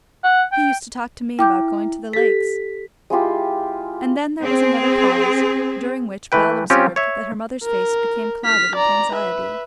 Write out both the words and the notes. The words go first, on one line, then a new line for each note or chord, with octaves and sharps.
"He used to talk to me about going to the lakes." And then there was another pause, during which Bell observed that her mother's face became clouded with anxiety.
F#5
G5
E4 G5 D6 G6
G4 A4 B6
G#3 E4 F4 G4
C4 G#4
E3 A3 B4 G5
C4 C#4 F4 G4
C#5 E5
A#4
F6 B6
D5 A#5
B4 E5